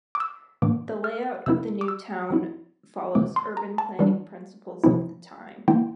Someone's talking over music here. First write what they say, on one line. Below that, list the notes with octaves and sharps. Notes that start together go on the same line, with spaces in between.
The layout of the new town follows urban planning principles of the time.
D6
E6
A2 E3 A#3 D4 D6
F6
C3 F3 C4 E4 E6
D6
E6
F3 C4 E4
C3 E3 A3 C4 D6
C6
A#5
A5
E3 G3 D4
C3 F3 C4 E4
E3 A#3 E4 G5